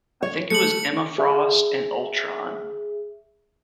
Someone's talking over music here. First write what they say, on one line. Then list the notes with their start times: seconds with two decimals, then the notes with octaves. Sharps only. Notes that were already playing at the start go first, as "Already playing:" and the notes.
I think it was Emma Frost and Ultron.
0.22 C#5
0.50 A3 C#7 F#7
1.18 G#4 E5